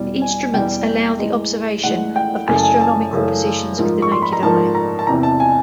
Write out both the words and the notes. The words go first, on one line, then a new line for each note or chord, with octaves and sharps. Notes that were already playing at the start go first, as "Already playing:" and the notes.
The instruments allow the observation of astronomical positions with the naked eye.
Already playing: E2 B2 G3
G#5
E2 B2 G3 G5
A2 E3 G#3
A2 E3 G#3 F#5
G5
F#2 C#3 E3 A3 G#5
A5
G#5
A5
F#2 C#3 E3 A3
G#2 F3 A#3
C#6
C6
B5
A#5
G#2 F3 A#3 A5
A#5
A5
E2 C3 E3 A#5
A5
G#5